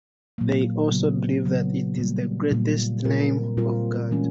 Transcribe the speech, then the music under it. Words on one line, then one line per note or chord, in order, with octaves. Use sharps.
They also believe that it is the greatest name of God.
A#2 F#3 A#3
C#3 F#3 B3
C#3 F#3 B3
A#2 G3 A#3
A#2 G3 A#3
A#2 G3 C4 F4 A#4
A#2 G3 C4 F4 A#4
E3 G#3 C#4